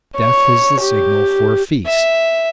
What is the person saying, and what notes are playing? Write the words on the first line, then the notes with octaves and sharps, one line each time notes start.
Death is the signal for a feast.
C#5
G4
E5